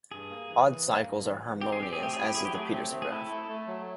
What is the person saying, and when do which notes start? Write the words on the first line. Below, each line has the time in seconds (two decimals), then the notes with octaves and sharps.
Odd cycles are harmonious, as is the Petersen graph.
0.11 G2 G#4
0.30 A#3
0.49 E3
0.68 E3
0.86 A#3
1.05 G2
1.24 E3
1.43 E3
1.61 C4 G4
1.72 G#4
1.81 C4 G4
1.93 G#4
1.99 A3 G4
2.13 E4 G#4
2.24 G4
2.35 F#3 G#4
2.45 G4
2.55 A3 G#4
2.66 G4
2.74 C4
2.92 A3
3.02 G#4
3.11 E4 A4
3.30 A3
3.49 A3
3.67 F#3